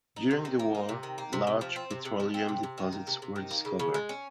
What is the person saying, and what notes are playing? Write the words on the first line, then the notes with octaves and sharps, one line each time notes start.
During the war large petroleum deposits were discovered.
D#4
C3
D#3
A#3
D#4
C3
D#3
A#3
C3
C3
F3
C4
C3
C3
F3
C4
C3
C3
D#3
A#3
C3
C3
D#3
A#3
C#3
C#3
G#3
C#4